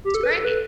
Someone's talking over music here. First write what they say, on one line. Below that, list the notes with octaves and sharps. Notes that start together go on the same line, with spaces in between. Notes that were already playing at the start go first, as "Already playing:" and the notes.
It's great.
G4
A4
B4
A4
B4